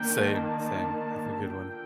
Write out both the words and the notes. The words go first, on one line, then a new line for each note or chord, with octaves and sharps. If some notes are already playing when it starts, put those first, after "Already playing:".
Same, same. Have a good one.
Already playing: D#3 A#3 D4 G5
A5
D3 F3 A#3 D4 G5